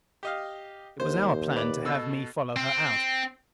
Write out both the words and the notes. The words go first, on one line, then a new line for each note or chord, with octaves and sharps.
It was our plan to have me follow her out.
G4 D#5 F5
D#2 C5
B4 D5
B2 A4 E6
C4